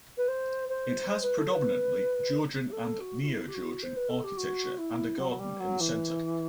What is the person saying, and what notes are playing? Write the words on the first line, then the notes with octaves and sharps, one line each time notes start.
It has predominantly Georgian and Neo-Georgian architecture and a garden in the centre.
B4
C5
C5
C5
B4
A4
B4
G4
A4
F#4
F#4
E4
G4
F#4
C5
B4
A4
G4
F#4
E4
F#3
G3
F#3
E3